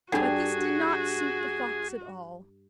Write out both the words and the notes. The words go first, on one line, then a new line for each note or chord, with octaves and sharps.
But this did not suit the fox at all.
G2 G3 D4 F#4 G#4 A4 F#5